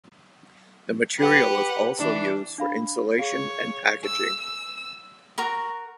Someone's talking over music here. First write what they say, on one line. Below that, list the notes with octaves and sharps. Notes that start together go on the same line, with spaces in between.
The material is also used for insulation and packaging.
G4 B4 F#5
E3 D4
D4 F5 B5
G#4 C#5 F5
E6
E6
F#4 A#4 A#5 C#6